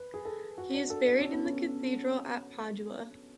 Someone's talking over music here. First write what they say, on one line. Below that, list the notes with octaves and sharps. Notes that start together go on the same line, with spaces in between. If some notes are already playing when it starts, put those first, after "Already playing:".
He is buried in the cathedral at Padua.
Already playing: B4
G#4
A4
F#4
D4
A4
D4
C#4
B3
C#4